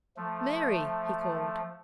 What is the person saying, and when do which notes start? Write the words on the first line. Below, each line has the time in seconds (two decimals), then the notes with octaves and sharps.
"Mary!" he called.
0.17 F3 A3